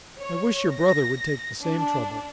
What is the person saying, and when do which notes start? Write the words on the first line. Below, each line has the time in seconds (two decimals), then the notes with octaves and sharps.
I wish your brother would take the same trouble.
0.20 C#5
0.72 A#6
1.61 D4